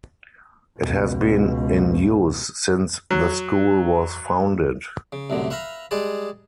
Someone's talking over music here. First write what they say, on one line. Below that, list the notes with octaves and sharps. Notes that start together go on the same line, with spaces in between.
It has been in use since the school was founded.
C#2 B2
F#3
C#3
C2 F#2 A2 D3
B4 E5 F5 A#5 B5
G3 G#3 G#4 B4 A5